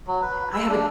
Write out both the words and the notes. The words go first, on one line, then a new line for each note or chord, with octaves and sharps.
I have a
F#3
B4
E6
D4